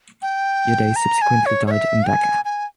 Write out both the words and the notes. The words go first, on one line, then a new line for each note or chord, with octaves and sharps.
Udai subsequently died in Dhaka.
G5
A#5
G#5
C#5
C#5
E5
G#5
G#5